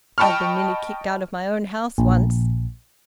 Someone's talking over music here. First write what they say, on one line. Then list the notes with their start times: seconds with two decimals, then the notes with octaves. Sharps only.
I've been nearly kicked out of my own house once.
0.18 D#5 G5 A5 B5 C#6 F6
1.98 A#1